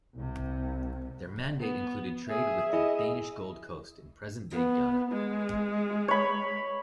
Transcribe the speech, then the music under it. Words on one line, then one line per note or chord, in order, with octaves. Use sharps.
Their mandate included trade with the Danish Gold Coast in present-day Ghana.
C2 C3
B3
G#4 E5
E4 G#4 D#5
B3
G#3
C#5 B5